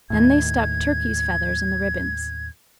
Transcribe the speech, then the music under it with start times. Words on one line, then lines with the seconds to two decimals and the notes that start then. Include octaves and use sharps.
Then they stuck turkeys' feathers in the ribbons.
0.10 D#2 A2 G#6